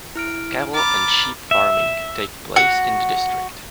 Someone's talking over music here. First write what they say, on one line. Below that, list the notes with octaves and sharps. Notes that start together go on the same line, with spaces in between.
Cattle and sheep farming take place in the district.
E4 F6 D7
A#5 B5 D6 F6 A6
E5
F#4